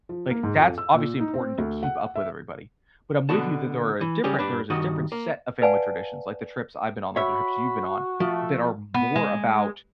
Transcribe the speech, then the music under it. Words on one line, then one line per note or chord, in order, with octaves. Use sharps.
Like, that's obviously important to keep up with everybody. But I'm with you that there are a different there is a different set of family traditions, like the trips I've been on, like the trips you've been on, that are more about
F3
A#3
G#2
F2
E6
A#2
D#4
C4
D2
F#5
E5
B2 D3 B3 F#4 A5
E3
C#3 G3 C#4 G4 G#4
G2 D4 B4
G2 D#3 F#4 D#5
A#3
B4 D5 F5 F#5 G#5 A5
F#4 C#5 E5 B5
F3 A3
B3
G#3